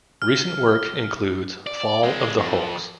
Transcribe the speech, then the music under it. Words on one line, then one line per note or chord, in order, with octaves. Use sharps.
Recent work includes Fall of the Hulks.
F6
D5
G#3 C4
F2